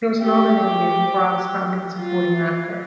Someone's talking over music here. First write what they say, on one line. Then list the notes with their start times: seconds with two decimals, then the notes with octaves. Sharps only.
He was nominated for Outstanding Supporting Actor.
0.22 G4
1.98 F4